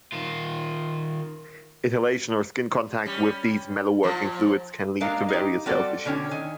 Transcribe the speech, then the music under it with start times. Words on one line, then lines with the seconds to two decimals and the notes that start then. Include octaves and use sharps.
Inhalation or skin contact with these metalworking fluids can lead to various health issues.
0.12 D#3 F4
3.06 G3 C#4
4.03 A#2 F3
5.00 G3 G#3 A#3 D4 A#4 F5
5.29 D#4 G4
5.66 G3 C4 F#4 A4 D5
6.05 B2 D3 C#4 C#5 G5
6.31 D#3 G#5